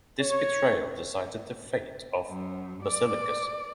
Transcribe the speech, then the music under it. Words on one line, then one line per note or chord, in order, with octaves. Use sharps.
This betrayal decided the fate of Basiliscus.
C#5
F#2
D5